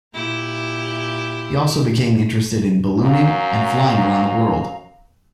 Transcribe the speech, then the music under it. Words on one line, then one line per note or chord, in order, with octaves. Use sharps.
He also became interested in ballooning, and flying around the world.
A#2 E4 G4
F#2 F5 A#5